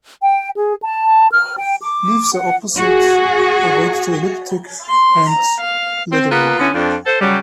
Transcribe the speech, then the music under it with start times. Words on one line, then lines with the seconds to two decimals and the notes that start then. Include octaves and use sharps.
Leaves are opposite, ovate to elliptic, and leathery.
0.22 G5
0.56 G#4
0.82 A5
1.32 F6
1.57 G5
1.83 D6
2.33 F#5
2.77 F#4 G#4
4.90 C6
5.29 A#5
5.60 F5
6.12 C4
6.31 A#3 B3 F4 B4
6.60 D3 B3 C#4 E4
6.74 F2 D4
7.06 A4 C5
7.21 C#3 F#3 G3